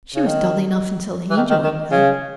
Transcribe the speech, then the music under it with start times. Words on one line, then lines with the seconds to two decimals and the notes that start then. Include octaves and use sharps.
She was dull enough until he joined her.
0.15 C#3
0.26 D#3
1.30 E3
1.37 D#3
1.50 D#3
1.64 D#3
1.91 C#3